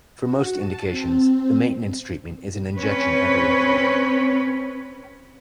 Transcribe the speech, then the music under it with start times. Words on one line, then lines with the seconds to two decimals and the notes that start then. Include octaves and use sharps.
For most indications, the maintenance treatment is an injection every other week.
0.22 F#4
0.56 A5
0.90 C4
2.78 C4 C#4 B4 C#5